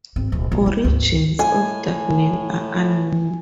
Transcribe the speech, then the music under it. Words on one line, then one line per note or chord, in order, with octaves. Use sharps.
Origins of that name are unknown.
G#1 C4
D1 A#2
A#1
E4
G#1 D2
A2 G#5